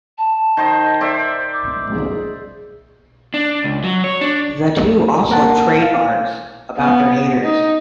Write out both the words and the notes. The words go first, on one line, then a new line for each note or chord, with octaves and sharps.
The two also "trade bars" about their haters.
A5
D#3 C5 D#5
C5 D5 E5
D6
G#4
D4
C#2
F#3
C#5
D4
A#3 A#4 F#5 A5
F5
B3
D#4